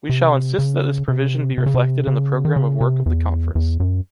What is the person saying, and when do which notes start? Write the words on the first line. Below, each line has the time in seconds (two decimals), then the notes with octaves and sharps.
We shall insist that this provision be reflected in the program of work of the Conference.
0.09 C3
0.59 C#3
1.08 C3
1.58 C3
1.66 C#3
1.74 C3
2.07 C#3
2.45 D#3
2.56 C#3
2.81 C3
3.06 E2
3.55 E2
3.80 F#2